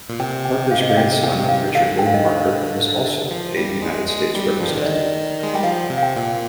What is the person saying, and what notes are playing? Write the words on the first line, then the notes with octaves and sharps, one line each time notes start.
Parker's grandson, Richard Wayne Parker, was also a United States Representative.
A#2
C3 G5
G5
F5
D#5
F5
G5
G5
F5
D#3
D3 F5
G5
F5
D#5
F3
G3
G#3
G#3
G3
F3
D#3
D3
D5
D#3 D#5
G#3
G3 G5
F3 F5
C3
F5
G5
A#2